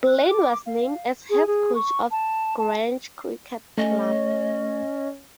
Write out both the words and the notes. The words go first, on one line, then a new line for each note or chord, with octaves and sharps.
Blain was named as head coach of Grange Cricket Club.
F#6
D6
F5
G#4
G#4
C#6
A5
A5
A3 C#4 D#5